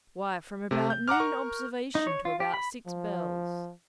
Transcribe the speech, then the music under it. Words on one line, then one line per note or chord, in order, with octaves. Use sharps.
"Why, from about noon observation to about six bells."
C3 A3
G6
F#5 A#5 D6 F6
A#4 C#6
D#4
C#5
F4
G4
B5
F3